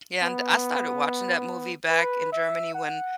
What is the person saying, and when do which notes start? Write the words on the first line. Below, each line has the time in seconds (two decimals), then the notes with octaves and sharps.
Yeah, and I started watching that movie back in Germany when,
0.23 B3
1.90 B4
2.32 E5
2.74 F#5